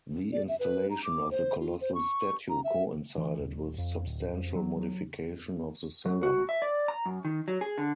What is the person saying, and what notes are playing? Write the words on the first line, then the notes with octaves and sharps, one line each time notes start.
The installation of the colossal statue coincided with substantial modification of the cella.
D5
E5
B4
A#5
D6
C5
F4
C5
C#6
A#5
E5
E3
D#1
F2
D1
F2
F#3
F#3
F#3
F#4
E5
D5
A#5
F#2
D#3
F#3
G#4
D3